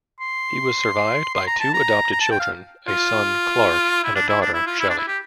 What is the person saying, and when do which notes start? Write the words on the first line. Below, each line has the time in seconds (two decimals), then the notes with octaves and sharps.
He was survived by two adopted children, a son, Clark, and a daughter, Shelley.
0.20 C6
1.35 C6
1.47 A#5
1.60 A5
1.74 A#5
2.12 A#5
2.21 A5
2.31 G5
2.40 F5
2.88 F4
4.04 E4
4.15 D4
4.29 E4
4.42 D4
4.54 E4
4.67 F4
4.79 E4
4.90 D4
4.98 E4
5.08 G4